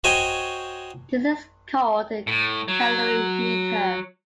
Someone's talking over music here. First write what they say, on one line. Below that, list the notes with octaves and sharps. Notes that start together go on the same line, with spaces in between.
This is called a calorimeter.
F#4 C5 C#5 D#5 G5 G#5
A2
F#3